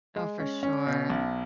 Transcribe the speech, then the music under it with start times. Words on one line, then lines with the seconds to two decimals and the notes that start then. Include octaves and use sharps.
Oh, for sure.
0.16 G#3
0.40 C#4
0.63 C#4
0.87 B2
1.10 B1